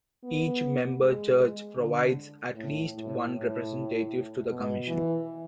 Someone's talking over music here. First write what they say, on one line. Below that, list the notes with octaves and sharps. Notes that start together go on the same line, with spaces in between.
Each member church provides at least one representative to the Commission.
B3
G#3
D3
A2
A2
A2
B2
E3